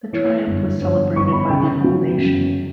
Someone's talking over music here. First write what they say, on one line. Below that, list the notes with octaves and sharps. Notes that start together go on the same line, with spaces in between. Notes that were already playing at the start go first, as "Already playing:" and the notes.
The triumph was celebrated by the whole nation.
E3 C#5
G1
G2 C#5
G1 C#6
B5
C#3 G5
F#3
F#2